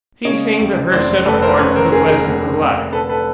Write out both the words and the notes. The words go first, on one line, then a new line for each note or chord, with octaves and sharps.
He seemed to her set apart for the blessings of life.
C#3 C#5 D#5
D#2
F1 C5 D5
F1 A4 B4
A#4 C5
C#3 B4 C#5
A#4 C5
D#2 G#4 A#4
G#4 A#4
F1
F1
D3 A4 B4
A4 B4